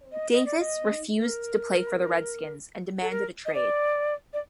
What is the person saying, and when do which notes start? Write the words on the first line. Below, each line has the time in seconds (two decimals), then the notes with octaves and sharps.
Davis refused to play for the Redskins and demanded a trade.
0.12 D#5
0.33 D#5
0.46 D5
0.59 D#5
1.18 A#4
3.02 A4
3.10 A#4
3.46 D#5
3.54 D5
4.33 D5